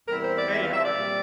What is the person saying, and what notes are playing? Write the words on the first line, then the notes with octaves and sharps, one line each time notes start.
Hey, how are you?
E2 C3 G3 C4 E4 A#4
C5
D5
E5
F5
E5
D5
A#2 G3 C4